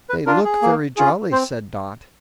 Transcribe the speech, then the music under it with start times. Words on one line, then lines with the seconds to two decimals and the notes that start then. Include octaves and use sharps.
"They look very jolly," said Dot.
0.09 B4
0.26 D4 F4 A#4
0.45 G#4
0.62 A#3
0.96 C#4 F4 G#4
1.31 C4 C5